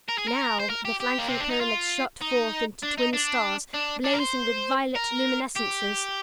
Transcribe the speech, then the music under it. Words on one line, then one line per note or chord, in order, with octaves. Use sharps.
Now the flanking pyramids shot forth into twin stars, blazing with violet luminescences.
A#4
G#4
A#4
C5
A#4
G4
G4
A#3
C4
D4
D#4
F4
D#4
D4
D#4
D4
D4
D4
A#4
C5
A#4
G4